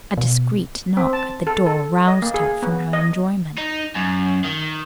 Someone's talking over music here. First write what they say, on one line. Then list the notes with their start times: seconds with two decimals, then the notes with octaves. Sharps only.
A discreet knock at the door roused her from her enjoyment.
0.17 B2
0.97 C4
1.13 A5
1.47 A4
1.67 A4
2.08 D#5
2.22 A#3
2.34 G#4
2.62 B3
2.93 D#5
3.58 D#4
3.95 F#2
4.45 D#3